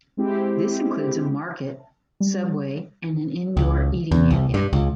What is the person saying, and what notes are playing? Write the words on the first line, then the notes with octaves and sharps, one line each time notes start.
This includes a market, Subway, and an indoor eating area.
G#3 C4 E4 G4
G3
C#2
E2
C2
G2
C#2